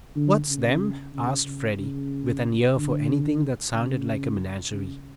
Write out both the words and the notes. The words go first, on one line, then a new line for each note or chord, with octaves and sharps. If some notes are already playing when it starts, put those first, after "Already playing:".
"What's them?" asked Freddie, with an ear for anything that sounded like a menagerie.
D3
C#3
C#3
C#3
C#3
D3
C#3
C#3